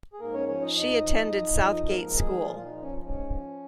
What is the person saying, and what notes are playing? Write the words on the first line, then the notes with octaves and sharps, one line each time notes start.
She attended Southgate School.
G#4
G#2 A#3 A#4
C#4 C#5
F3 C#4 C#5
D#4 D#5
F2 D#4 D#5
F3
F2
F3
G#2 A#3 A#4
D#3 G#3 G#4
A#2 F3 F4
F4
D#4
F3
C#4
G#2 C#4
F3